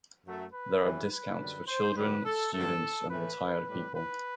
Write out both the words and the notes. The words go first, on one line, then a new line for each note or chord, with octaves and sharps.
There are discounts for children, students and retired people.
F#2 F#3 A3
B4
F#2 E3 G3
B4
F#2 D3 G3
C5
F#2 D3 G3 B4
A4
G2 D3 F#3 A3 A4
A2 E3 A3 B4
A2 G3
B4